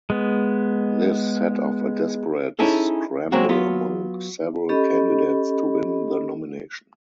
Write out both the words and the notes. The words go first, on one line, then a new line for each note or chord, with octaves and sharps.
This set off a desperate scramble among several candidates to win the nomination.
G#3 B3
C#4 D#4 E4 G#4 A4
F#3 G#3 A#3 C4 F#4
F#3 B3 F4
C#4 G4 A4 D#5 B5